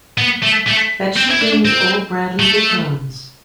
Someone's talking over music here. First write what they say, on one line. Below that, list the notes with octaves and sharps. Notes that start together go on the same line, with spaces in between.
Bet she brings old Bradley to terms.
B3
A3
A3
C4
E4
D4
C4
A3